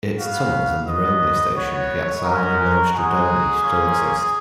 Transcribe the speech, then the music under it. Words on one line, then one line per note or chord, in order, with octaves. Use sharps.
Its tunnels, and the railway station 'Piazzale Lo Stradone', still exist.
B3 F#4 F5
B3 F#4 D#5
B3 F#4 C#5
G#3 C#4 F#4 A#4
G#3 D#4 F#4 G#4
A#3 C#4 F4